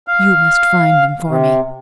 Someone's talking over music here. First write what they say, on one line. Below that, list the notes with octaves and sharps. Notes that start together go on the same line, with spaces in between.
You must find them for me!
F5
C3